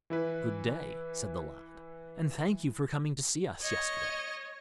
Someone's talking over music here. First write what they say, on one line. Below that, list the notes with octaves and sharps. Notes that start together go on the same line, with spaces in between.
'Good day!' said the lad, 'and thank you for coming to see us yesterday.'
E3 E4 B4
C#5 D#5